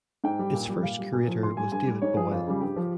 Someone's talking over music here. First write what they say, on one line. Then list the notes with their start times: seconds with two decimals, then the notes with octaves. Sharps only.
Its first curator was David Boyle.
0.24 G#2 G5
0.39 G3
0.53 A#2
0.69 G3
0.83 A#2 F5
0.99 G3
1.13 A#2
1.28 F3
1.43 A#2 C6
1.57 G3 G#5
1.72 G2 G#5
1.87 G3
2.02 G#2 C#5
2.17 F3 G#4
2.32 F2 F4
2.47 C#3 G3
2.61 G2 G4
2.76 F3